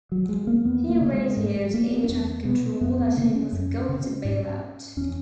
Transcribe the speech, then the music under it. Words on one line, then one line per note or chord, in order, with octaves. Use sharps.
He radioed air traffic control that he was going to bail out.
F#3
G#3
A#3
E2 B3
A#3
C#3
G#3
G#2
G#3
A#3
B3
C#4
E2 B3
B2 B3
F#2 B3
B3
C#3 A#3
C#4
F#2
C#3
G#2
E2 C#4